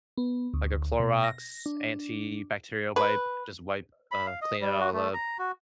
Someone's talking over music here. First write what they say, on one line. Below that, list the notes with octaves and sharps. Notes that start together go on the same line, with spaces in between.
like a Clorox antibacterial wipe, just wipe uh, clean it all up.
B3
D2
B2
A#6
D4
B4
B5
F5
D#5
G3
F#4
A3
A#5
F#4